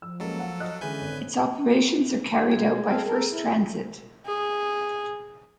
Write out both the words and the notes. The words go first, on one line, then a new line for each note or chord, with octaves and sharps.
Its operations are carried out by First Transit.
F3 E6
F#3 G#3 A#3 C#4 A4
F5 F#5
D#5 D#6 F6 F#6
D3 E3 G#3 C#4 B4 G#5 G6
G#1 C#5
B2 G#3 G#4
A4 F5 G5
A4 A#4
E4
G#4